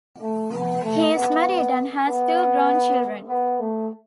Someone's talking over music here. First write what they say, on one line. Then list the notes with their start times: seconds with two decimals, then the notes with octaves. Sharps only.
He is married and has two grown children.
0.21 A3
0.51 B3
0.83 A3
1.13 B3
2.06 B3
3.28 B3
3.60 A3